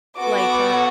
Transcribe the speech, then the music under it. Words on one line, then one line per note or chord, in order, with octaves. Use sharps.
like, uh
B3 F#4 A4 D6